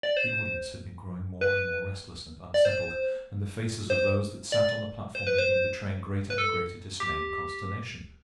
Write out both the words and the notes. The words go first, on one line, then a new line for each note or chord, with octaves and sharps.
The audience had been growing more and more restless and unsettled, and the faces of those that sat on the platform had been betraying greater and greater dismay and consternation.
D5
C5
B4
D5
C5
C5
D5
C5
B4
C5
B4
A4
G4